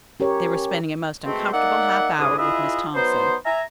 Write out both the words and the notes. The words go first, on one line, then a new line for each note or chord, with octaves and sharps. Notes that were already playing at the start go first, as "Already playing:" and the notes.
They were spending a most uncomfortable half hour with Miss Thompson.
C#4 G4 A#4 C#5
B2 G#3 A3 C4
A#3 D#4 D5 E5 F#5
C2 G#2 D3 D4 G#4 D#6
E4 F4 G#4 B4 D#5 E5
F#3 B3 D#4 C5
E5 G#5 A#5